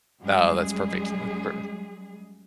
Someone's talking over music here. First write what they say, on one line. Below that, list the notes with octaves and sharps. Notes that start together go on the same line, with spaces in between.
No, that's perfect, that's perfect
F#2 G3 G#3 G#4